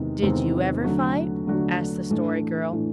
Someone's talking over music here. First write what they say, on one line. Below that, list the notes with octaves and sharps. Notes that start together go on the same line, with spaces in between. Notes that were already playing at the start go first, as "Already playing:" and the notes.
"Did you ever fight?" asked the Story Girl.
Already playing: E2 C3 D#3 G#3 C4
E2 C3 D#3 G#3 C4
D3 F#3 A3 D4 F#4
D3 F#3 A3 D4 F#4
A2 E3 A3 D4
A2 E3 A3 D4